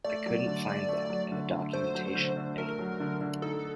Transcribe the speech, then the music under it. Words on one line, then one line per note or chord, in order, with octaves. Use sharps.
I couldn't find that in the documentation anywhere.
A3 D5
F#3
D3
D3
A3
F#3
D3
D3
A3 C5
F#3
D3
D3
A3 A#4
F#3
D3
D3
D#4 A4